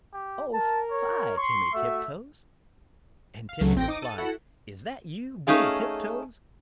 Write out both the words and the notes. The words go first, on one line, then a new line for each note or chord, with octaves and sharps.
Oh fie, Timmy Tiptoes!" And Timmy replied, "Is that you, Goody Tiptoes?
G4
A#4 A5
C#5
C6 C#6
A3 F#4 E5
F5
C#2 C#3 F#3 A3
A1 C4 G5 A#6
D#4 D6 D#6
A4 A6 D#7
E4 F#4 A4 F#5
A3 C#4 D#4 G#4 F5